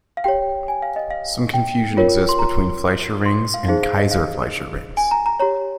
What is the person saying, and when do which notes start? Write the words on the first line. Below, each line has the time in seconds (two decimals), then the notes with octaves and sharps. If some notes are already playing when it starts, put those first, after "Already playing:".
Some confusion exists between Fleischer rings and Kayser-Fleischer rings.
0.17 F5
0.24 G4 C#5 G5
0.68 G#5
0.82 F5
0.96 D#5
1.11 F5
1.54 G5
1.97 F4 A#4 C#5
2.29 C6
2.39 A#5
3.26 C6
3.54 F5
3.68 D#4 G#4 C5 F5
3.83 F5
3.97 D#5
4.11 F5
4.97 G#5
5.11 A#5
5.26 A#5
5.40 G4 C#5 A#5